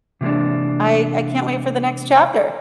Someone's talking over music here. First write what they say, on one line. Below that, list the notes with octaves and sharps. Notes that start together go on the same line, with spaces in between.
I I can't wait for the next chapter.
C3 E3 G3 G#3 A#3 D4